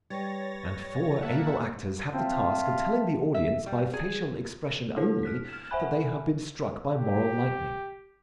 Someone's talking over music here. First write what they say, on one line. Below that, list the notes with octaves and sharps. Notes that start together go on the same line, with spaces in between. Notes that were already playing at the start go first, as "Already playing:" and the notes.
And four able actors have the task of telling the audience by facial expression only, that they have been struck by moral lightning.
G3 B4 C#5 A6 A#6
A#3 E5 F#5 A5
C4 F4 E5 A5
E5
G3
G#4
D4 E4 A4 C5
F6 F#6 B6
F6 E7
C5 E5 F#5 G#5 B5 F#6
G4